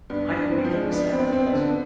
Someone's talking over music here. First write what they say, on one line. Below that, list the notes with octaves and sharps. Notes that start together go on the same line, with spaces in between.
I am making a sacrifice!
G2 B3
B3
G2
C4
F3
G#3
B3 D4
C4
B3
C4
B3
D3